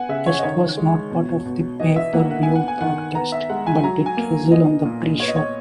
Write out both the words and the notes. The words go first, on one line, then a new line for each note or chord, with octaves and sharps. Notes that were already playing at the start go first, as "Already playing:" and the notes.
Test was not part of the pay-per-view broadcast but did wrestle on the pre-show.
Already playing: B3 F#5 G#5
C#3 E5
C#5
D#5
D#3 C#5
G#3
B2
B2
E3 D#5
E5
A#3 F#5
F#5
B3 G#5
F#5
G#5
D#3 F#5
B3 A#5
E5
G#3 F#5
G#5
F#3 A#5
G#5
A#3
B3 D#5
A#2
B3 C#5
D#5
C#5